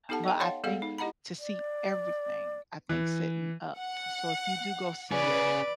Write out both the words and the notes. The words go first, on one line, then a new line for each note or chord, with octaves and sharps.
but I think to see everything I think sitting up So if you do go see it
B3 D#4 G4 A4 F#5 A5
D#5 G5
C#5 D5 F5 F#5 A5 C6
G#3 B3 G#4 A4 F5 F#5
D#4
E4 G4 D#5 F#5 A#5 B5
D5
E3
F#5
C#4 G#4 B4 D5